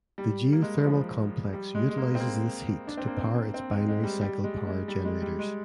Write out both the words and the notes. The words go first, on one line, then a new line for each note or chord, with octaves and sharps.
The geothermal complex utilizes this heat to power its binary cycle power generators.
G3
A#3
G#3
F3
G3
G#3
G#3
A#3
C4
A#3
D4
C4
A#3
C4
C4
G#3
G#3
G3
G3
G#3
G#3
G3
G#3
G3
G#3